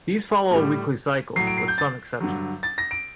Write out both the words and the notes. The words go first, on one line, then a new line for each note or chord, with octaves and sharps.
These follow a weekly cycle, with some exceptions.
A2 G3
A2 F#3 C7
D7
C7
G6
A6
G2 D3 F#3
A6
A#6
D7